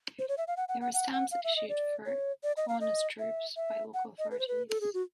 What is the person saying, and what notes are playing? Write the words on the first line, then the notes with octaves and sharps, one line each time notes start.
There were stamps issued for Aunus troops by local authorities.
C5
C#5
E5
F5
F#5
F#5
F#5
F#5
F#5
F5
E5
D#5
D5
C#5
D5
D#5
F5
D#5
E5
E5
F#5
D#5
B4
C5
B4
A4
G#4
F#4